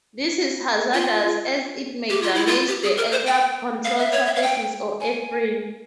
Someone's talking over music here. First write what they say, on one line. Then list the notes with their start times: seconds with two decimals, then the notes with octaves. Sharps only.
This is hazardous as it may damage the aircraft control surfaces or airframe.
0.94 F4
2.10 G4
2.22 F4
2.34 E4
2.47 F4
2.68 G4
2.83 G#4
2.97 A#4
3.12 C5
3.26 G5
3.85 F5
3.99 E5
4.12 C#5
4.26 E5
4.36 F5
4.43 G5
5.00 G#5